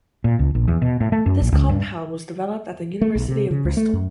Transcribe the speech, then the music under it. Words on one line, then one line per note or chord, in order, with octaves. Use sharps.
This compound was developed at the University of Bristol.
A#2
C#2
A#1
E2
B2
A2
A3
F#2
A#1
C#2
G2
A3
B1
C3
C#3
C#2
A3
F#2